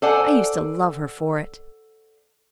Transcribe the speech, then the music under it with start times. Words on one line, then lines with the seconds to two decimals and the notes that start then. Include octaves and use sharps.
I used to love her for it.
0.02 A4 C5 D5 F#5 G#5